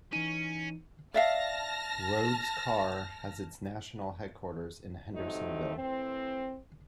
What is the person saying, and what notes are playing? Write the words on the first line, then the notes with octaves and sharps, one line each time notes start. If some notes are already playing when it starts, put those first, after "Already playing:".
Rhoades Car has its national headquarters in Hendersonville.
E3 C#4 D#4 D#7
D5 E5 F5 A5 F6 A#6
F#3 G3 A3 C4 D#4
A2 E3 C4